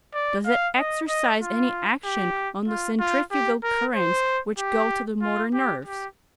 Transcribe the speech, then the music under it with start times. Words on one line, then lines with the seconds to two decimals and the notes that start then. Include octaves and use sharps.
Does it exercise any action on the centrifugal currents which go to the motor nerves?
0.14 D5
0.46 F5
0.78 D#5
1.09 D#5
1.41 F4
2.04 G4
2.68 F4
3.00 F4
3.31 G4
3.63 A#4
3.95 C5
4.58 G4
5.22 F4
5.54 G4
5.85 G4